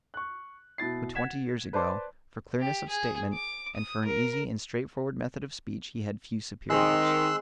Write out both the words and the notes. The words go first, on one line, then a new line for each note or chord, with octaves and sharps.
But twenty years ago, for clearness of statement, and for an easy and straightforward method of speech he had few superiors.
C#6 F#6
B2 E4 A6 C7
F#5 G#6 B6 E7
B4 C5 D5 A5 C6 D6
G4
G#4
D6
D#6
A#4
D#3 G#3 C4 C6 E6 F#6